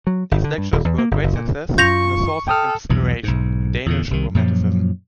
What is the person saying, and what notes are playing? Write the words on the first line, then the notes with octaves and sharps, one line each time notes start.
These lectures were a great success and a source of inspiration in Danish romanticism.
F#3
G1
D3
G2
D#1
E2
A#3
G1
F#1
A#2
F#2 F4 C#6 G6 A#6 F7
A4 G5 D#6 F6
B1 E2 G2 B2
B1 G#2
E2 A#2 D3
C2 C3 D#3
F#2 A#2 F3 F#3